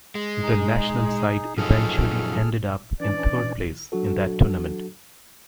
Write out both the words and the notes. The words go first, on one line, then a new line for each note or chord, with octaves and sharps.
The national side eventually ended up in third place in that tournament.
G#3
D#4 G#4
F#2 F3 D#4 G#4 A4 F6
E3 C#4 D4 D5
F#3 D4 F#4 A4